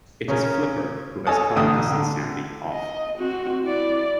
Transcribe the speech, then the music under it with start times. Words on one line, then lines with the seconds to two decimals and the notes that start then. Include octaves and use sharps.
It is Flipper, who has come to see Sandy off.
0.28 C#3 C#4 A#4
1.27 A4 C#5 D#5 G#5 A5 D#6
1.56 A1 D3 G5 D#6
1.92 D3
2.72 D#5
3.17 C4 F#4
3.64 E4 D5